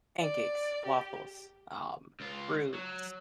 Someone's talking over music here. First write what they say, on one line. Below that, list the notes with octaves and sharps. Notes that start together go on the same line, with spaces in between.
Pancakes, waffles, um, fruits.
D5
G4
C#2 F4
F#3